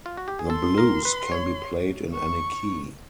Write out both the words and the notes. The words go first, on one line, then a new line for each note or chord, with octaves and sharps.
The blues can be played in any key.
F4
F#4
G4
G#4
A4 C6
A#4
B4
C#5
C#6